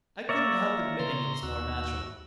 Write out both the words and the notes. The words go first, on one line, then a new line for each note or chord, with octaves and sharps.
I couldn't help admitting it was more natural.
A#3 A#4 C#5 D5 E5
C#3 A#5 C6
D#2 F#4 E6